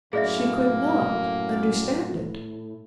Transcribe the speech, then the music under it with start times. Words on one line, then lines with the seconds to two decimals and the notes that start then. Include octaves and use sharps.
She could not understand it.
0.13 F#2 A2 A#3 G#4 D5 E5